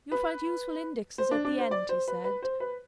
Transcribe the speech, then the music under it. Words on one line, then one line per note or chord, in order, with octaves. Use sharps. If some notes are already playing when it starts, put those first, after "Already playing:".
"You'll find useful indexes at the end," he said.
B4
C5
D4
D4
C5
D5
C5
B4
B4
C5
B4